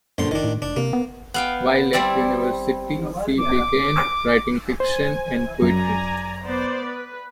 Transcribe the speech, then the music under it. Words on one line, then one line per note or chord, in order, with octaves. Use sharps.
While at university she began writing fiction and poetry.
A#1 F#2 D3 C6
F#1 D#3 D4
A2
F1 D4
C3 A#3
B3
B3 F5 G5
G3 C4 E4 D5
D6
C5 G#5
F#2 D5 G#5 A#5
B3 C5 D5
B4